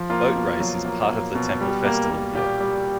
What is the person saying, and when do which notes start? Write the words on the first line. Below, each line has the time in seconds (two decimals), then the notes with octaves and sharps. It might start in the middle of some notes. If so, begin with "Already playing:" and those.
Boat race is part of the temple festival here.
Already playing: F3
0.10 A#3 F4
0.35 B2
0.60 F#3
0.85 A#3
1.10 A#3
1.35 B2
1.61 G3
1.85 A#3
2.10 A#3
2.35 A#2 G4
2.60 G3